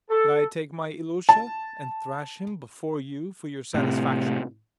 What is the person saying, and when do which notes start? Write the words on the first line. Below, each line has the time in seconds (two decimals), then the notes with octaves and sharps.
That I'd take my Ilusha and thrash him before you for your satisfaction?
0.10 A4
1.29 A5
3.74 A2 C3